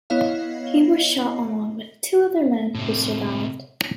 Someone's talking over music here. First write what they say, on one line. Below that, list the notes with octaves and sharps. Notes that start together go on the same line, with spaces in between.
He was shot along with two other men, who survived.
B3 E4 C#5 D#5 F5
A2 C3